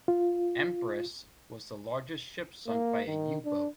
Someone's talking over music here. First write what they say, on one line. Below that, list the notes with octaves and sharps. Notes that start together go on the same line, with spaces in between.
"Empress" was the largest ship sunk by a U-boat.
F4
A#3
D#3
D4